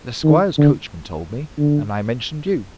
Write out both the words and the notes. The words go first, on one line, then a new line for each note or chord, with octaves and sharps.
The squire's coachman told me, and I mentioned you.
D#3
D3
D3